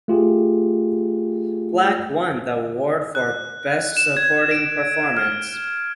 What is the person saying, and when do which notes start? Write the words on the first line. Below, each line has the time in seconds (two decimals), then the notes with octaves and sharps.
Black won the award for Best Supporting Performance.
0.08 A3 F4 G4 G#4
3.15 F#6
3.97 E7
4.17 G#6
4.51 D7
5.17 F6